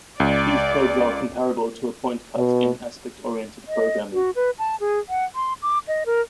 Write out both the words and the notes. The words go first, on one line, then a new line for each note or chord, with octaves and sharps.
These probes are comparable to a pointcut in aspect-oriented programming.
C#2 D5
B2
D#5
F#4
B4
A5
G#4
F#5
C6
D6
D#5
A#4